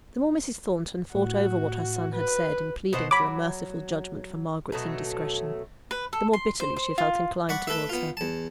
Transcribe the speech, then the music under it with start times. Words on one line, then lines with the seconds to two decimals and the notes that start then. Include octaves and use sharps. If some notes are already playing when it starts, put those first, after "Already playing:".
The more Mrs. Thornton thought over what her son had said, in pleading for a merciful judgment for Margaret's indiscretion, the more bitterly she felt inclined towards her.
1.15 A2 F#4
2.15 B4
2.93 B2 C5 F#5
3.11 F#3 B5 D6
4.72 B2 F#3 A3
5.91 B4
6.13 A4
6.33 C6
6.60 C5
6.77 C5
6.98 F4
7.49 D5 F#5 B5 C#6
7.67 A3 A4 B4 E5
7.89 B3 F4
8.17 E2 A5